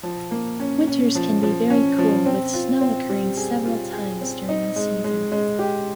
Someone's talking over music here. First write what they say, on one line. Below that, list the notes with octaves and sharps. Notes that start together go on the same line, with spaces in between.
Winters can be very cool with snow occurring several times during the season.
F3
A#3
C#4
C#4
F3
F3
C#4
F3
C4
F4
C4
G3
G#4
F4
G#4
C4
D#4
G#3
G#3
G#3
G4